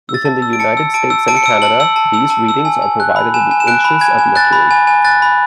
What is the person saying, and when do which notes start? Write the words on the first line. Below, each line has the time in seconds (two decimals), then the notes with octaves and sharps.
Within the United States and Canada, these readings are provided in inches of mercury.
0.09 E6
0.14 A6
0.25 A5
0.42 E6
0.53 D7
0.59 A5 C#7
0.77 E6
0.94 A5 D7
1.10 E6
1.28 A5 D7
1.37 C#7
1.44 E6 D7
1.62 A5 F#7
1.80 E6
1.96 A5
2.14 E6
2.30 A5
2.48 E6
2.65 G#5
2.82 G#5
3.00 F#6
3.16 B5
3.34 G#5 E7
3.51 G#5
3.60 E7
3.67 F#6 D7
3.85 B5
4.01 G#5 G#6
4.19 G#5
4.35 F#6 A6
4.53 B5
4.71 G#5
4.87 G#5
5.05 F#6 A6
5.22 B5